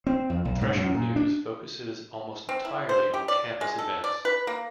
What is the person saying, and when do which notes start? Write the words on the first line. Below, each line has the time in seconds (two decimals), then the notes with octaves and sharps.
"Thresher" News focuses almost entirely on campus events.
0.07 C4
0.30 F2
0.45 B1
0.61 G#2
0.77 F#2
0.94 A#2
1.16 D4
2.49 C4
2.65 E4
2.89 C5
3.14 G4
3.28 D5
3.61 G#3
3.78 A4
4.04 D5
4.25 B4
4.47 A#3